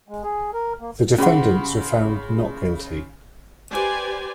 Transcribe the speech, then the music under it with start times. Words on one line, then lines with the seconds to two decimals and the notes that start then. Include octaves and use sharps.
The defendants were found not guilty.
0.08 G#3
0.23 G#4
0.54 A#4
0.80 A#3
1.18 C#3 C#4 G#4 F#5 B5 C6
3.71 G4 B4 C5 D5 G#5